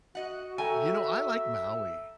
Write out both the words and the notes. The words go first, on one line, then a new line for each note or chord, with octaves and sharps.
You know, I like Maui.
F#4 D#5 F#5
A4 E5 G5 G#5 A#5